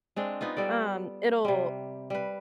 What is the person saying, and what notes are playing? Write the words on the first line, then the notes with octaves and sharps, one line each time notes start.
um, it'll,
G#3 C4 D4
B3 D#4 F4
G3 A4 D5
C3 G3
G3 B4